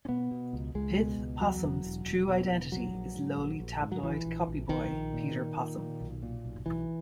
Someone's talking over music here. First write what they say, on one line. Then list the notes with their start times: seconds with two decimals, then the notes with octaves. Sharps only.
Pith Possum's true identity is lowly tabloid copyboy Peter Possum.
0.05 C#4
0.09 B2 B3
0.31 B2
0.53 C#2
0.75 C#2 G#3
0.97 B2
1.18 C#2
1.40 E2 F#3
1.62 E1
1.84 E1
2.06 E1
2.28 B2
2.50 E1
2.72 A#1 F#3
2.93 A#1
3.15 G#2
3.37 A#1
3.60 A#1
3.82 G#2
3.92 F#3
4.03 A#1 E3
4.25 A#1
4.48 A#1
4.69 A#1 D#3
4.91 A#1
5.13 A#2
5.35 A#2
5.57 A#2
5.78 A#2
6.01 B1
6.23 A#2
6.44 B1
6.66 B1 E3